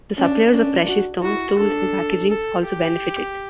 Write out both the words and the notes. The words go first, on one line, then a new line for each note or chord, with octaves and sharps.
The suppliers of precious stones, tools and packaging also benefited.
C#4 D4
C#4 D4
F#4
E4 F#4
D4 A4
A4
G4